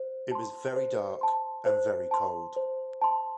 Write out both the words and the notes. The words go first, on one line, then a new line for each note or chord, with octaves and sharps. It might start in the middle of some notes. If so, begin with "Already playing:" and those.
It was very dark and very cold.
Already playing: C5
A5 C6
C5
A5 C6
C5
A5 C6
C5
A5 C6